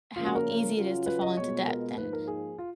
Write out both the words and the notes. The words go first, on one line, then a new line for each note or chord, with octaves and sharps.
how easy it is to fall into debt, and
C#3 F3 A#3 C#4 F4
F#4
A#4
C#3 F#3 C#4 F4
B4
D#5
B2 G#3 B3 F4 C#5
A#4
G#2 F3 A#3 D#4 B4
A#4
G#4
F4